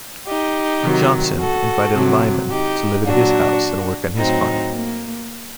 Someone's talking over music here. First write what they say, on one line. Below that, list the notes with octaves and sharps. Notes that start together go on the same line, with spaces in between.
Johnson invited Lyman to live at his house and work on his farm.
D#4 G4
C3 D#3 F#3
F#4 A4
C3 F#3
D#4 G4
A#2 F#3 D4 F#4
A2 F#3 C4 D#4
A#3